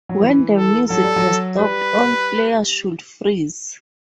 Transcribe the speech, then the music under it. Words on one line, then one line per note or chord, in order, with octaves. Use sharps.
When the music has stopped all players should freeze.
F#3
E3
A4
F#3 A4
G3
F#3
G3 B4